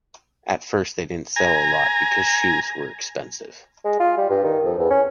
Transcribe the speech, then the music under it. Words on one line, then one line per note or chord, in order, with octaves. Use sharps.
At first, they didn’t sell a lot because shoes were expensive.
G#5 A#5
G#3
F4
G3
G2
D#3
F2
E2
C#4